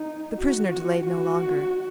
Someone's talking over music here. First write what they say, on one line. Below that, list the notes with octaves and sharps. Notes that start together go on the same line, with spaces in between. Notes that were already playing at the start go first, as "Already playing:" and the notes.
The prisoner delayed no longer.
Already playing: D#4
F#4
F#4
F#4